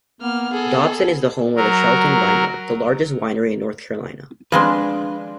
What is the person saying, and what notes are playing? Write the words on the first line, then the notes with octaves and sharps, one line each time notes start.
Dobson is the home of the Shelton Vineyards, the largest winery in North Carolina.
A#3 B3 F6
G#4 A4
F#3 A#4
F3 G#3 C4 D4 B4